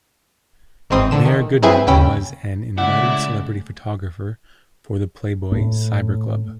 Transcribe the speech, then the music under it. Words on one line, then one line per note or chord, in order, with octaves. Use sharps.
Mayor Goodman was an invited celebrity photographer for the Playboy Cyber Club.
G#1 G#2 E3 C4 C6 D#6
D3 E7
D#3
F#3 C4 E4 G#4 B4 E5
D#2 C#3 C#4 G5 B5 E6
C#3 G#3 A3 E4 D5 F#5
A2